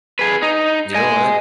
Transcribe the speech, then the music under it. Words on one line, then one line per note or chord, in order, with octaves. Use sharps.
You know what?
G#4 B4
D#4
D#5 G#5